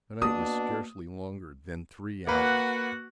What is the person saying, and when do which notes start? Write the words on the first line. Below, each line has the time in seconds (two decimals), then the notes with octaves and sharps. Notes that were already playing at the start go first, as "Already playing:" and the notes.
The night was scarcely longer than three hours.
0.22 B2 A#3 D4 D#6
2.27 A#3 F#4 B4 F#5